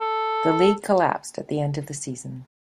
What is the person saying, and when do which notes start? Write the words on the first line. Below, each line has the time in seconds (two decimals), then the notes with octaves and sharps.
The league collapsed at the end of the season.
0.01 A4